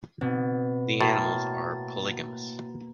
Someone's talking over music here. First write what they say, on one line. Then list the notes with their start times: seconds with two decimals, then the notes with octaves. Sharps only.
The animals are polygamous.
0.21 B2 C4
1.01 A2 A#3 F#4 A6